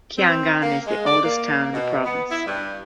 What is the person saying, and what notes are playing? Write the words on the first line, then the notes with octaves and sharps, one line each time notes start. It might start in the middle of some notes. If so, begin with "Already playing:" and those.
Kiangan is the oldest town in the province.
C4
A#3
G#3
D5
A#3
B2
B3
E4
G2